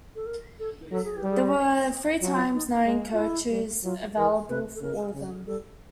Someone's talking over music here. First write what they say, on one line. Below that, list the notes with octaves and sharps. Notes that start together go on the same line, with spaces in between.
There were three times nine "couches" available for all of them.
A4
A#4
A4
F#3 A4
G#4
G4
G3
G#4
F#3 F4
F#4
F4
D#4
G#3
F4
E4
G3
F#3 F4
E3 A#4
C3 B4
A4
C#3 A#4
C#3
G3 A4